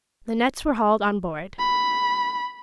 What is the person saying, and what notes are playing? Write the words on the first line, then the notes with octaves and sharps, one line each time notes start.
The nets were hauled on board.
B5